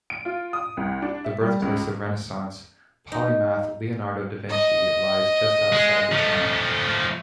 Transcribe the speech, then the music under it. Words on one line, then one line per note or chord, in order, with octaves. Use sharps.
The birthplace of Renaissance polymath Leonardo da Vinci lies just outside the town.
D7
F4
D#6
C2
D4
E5
G3
C#2
D#4
D#5
G#3
F3 A3